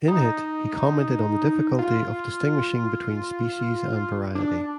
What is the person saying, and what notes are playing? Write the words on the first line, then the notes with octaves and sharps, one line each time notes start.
In it, he commented on the difficulty of distinguishing "between species and variety".
D#4
F4
D4